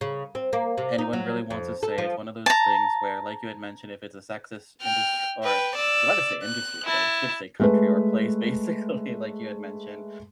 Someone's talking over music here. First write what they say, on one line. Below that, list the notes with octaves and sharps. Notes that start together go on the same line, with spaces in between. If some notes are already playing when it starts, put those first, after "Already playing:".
anyone really wants to say, it's one of those things where, like you had mentioned, if it's a sexist indust or I was about to say industry, but I should say country or place, basically like you had mentioned.
C#3
C4
A#3
C3
D#4
F#3
F2
A4
F3
A5 A#5
G5 F6
B4 G5
D5 E6
F#6
E4 A5
G#3 A3 B4